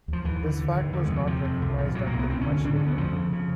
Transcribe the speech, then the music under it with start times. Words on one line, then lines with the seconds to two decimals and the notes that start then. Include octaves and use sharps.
This fact was not recognized until much later.
0.08 D#2 F3
0.25 D#2 E3
0.43 D3
0.59 D3
0.76 D#2
0.93 F2 D3
1.05 G#3
1.10 C3
1.16 F#3
1.27 C3 F3
1.45 F2
1.62 C2
1.78 A#2
1.95 A#2 F#3
2.07 A#3
2.13 C2
2.19 B3
2.30 D2 C4
2.41 C#4
2.46 D3
2.52 C#4
2.65 D3 D4
2.75 C#4
2.80 D2
2.86 B3
2.98 F2 F3
3.15 C#3
3.33 C#3